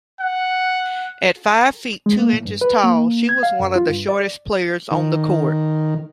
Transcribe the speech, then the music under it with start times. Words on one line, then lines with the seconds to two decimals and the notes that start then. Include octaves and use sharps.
At five-feet-two-inches tall, she was one of the shortest players on the court.
0.20 F#5
2.06 G#3
2.19 A#3
2.33 A2
2.45 G2
2.61 B4
2.84 A#3
3.29 G#6
3.43 F5
3.60 F#2
3.76 F4
3.90 G2
4.09 D5
4.91 D#3